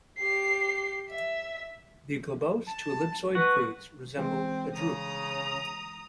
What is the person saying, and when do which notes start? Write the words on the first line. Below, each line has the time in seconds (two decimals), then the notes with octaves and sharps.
The globose to ellipsoid fruits resemble a drupe.
0.18 G4 C7
1.10 E5
2.67 A5
3.35 F#4 B4
4.18 E3 G#3 C4
4.74 C#3 A#5 D#6